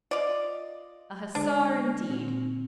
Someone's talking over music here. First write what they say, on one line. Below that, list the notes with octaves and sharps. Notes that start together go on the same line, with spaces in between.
A hussar indeed!
F4 D5 D#5
D3 G#3 D4 F6
A#2 C4 F#4